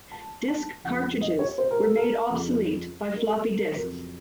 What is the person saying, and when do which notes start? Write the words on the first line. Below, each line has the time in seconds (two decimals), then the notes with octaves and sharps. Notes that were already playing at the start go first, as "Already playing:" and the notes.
Disk cartridges were made obsolete by floppy disks.
0.12 A5
0.48 A5
0.84 F2 C#3 F3 F#5
1.21 D#5
1.39 C#5
1.58 C5
1.71 A#4
1.83 A4
1.97 A#4
2.30 F2 C#3 F3
3.15 A#4
3.22 A4
3.40 A4
3.58 A#4
3.76 F2 C#3 F#3 A#4